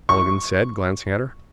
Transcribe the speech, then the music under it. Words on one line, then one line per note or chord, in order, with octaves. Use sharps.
Mulligan said, glancing at her.
C#6